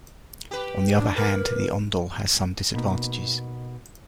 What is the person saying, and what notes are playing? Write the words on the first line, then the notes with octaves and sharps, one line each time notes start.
On the other hand, the Ondol has some disadvantages.
G4 B4
D4
A#4 B4
B2 A#3 D#4